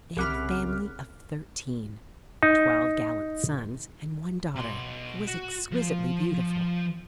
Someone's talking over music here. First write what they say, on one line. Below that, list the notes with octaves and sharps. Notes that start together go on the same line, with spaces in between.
They had a family of thirteen--twelve gallant sons, and one daughter, who was exquisitely beautiful.
C2 C#3 F#5 B5 D6 F6
D#4
B2 C6
F#4
F3